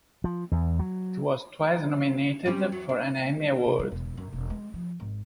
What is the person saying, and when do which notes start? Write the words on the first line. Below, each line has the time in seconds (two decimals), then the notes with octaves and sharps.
It was twice nominated for an Emmy Award.
0.24 F3
0.52 E2
0.79 F#3
2.46 G3 C4 C#4
2.72 E2 F#3
2.89 D4
3.65 C3
3.79 G3
3.92 E1
4.17 F#2
4.33 E1
4.50 G#3
4.74 F3
5.00 G#1